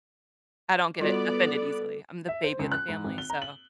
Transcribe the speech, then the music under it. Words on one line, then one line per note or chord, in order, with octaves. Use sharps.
I don't get, eh, offended easily. I'm the baby of the family, so
G3 B3 F4 F#4 A4 D5
E5
C5
C#2
F#6
G#2
G#1
G7
A#5
F#7